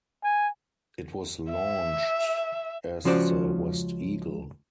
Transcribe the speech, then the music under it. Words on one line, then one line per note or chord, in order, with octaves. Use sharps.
It was launched as the "West Eagle".
G#5
E5
C#2 F3 C#4 F#4 C5 D5